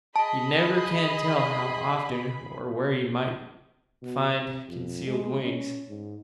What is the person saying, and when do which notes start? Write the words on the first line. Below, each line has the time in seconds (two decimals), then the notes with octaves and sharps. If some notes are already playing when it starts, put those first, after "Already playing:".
You never can tell how often or where you may find concealed wings.
0.16 G#4 D#5 A5 B5
4.02 B2
4.32 C3
4.69 F2
5.07 G#3
5.43 C#4
5.89 G#2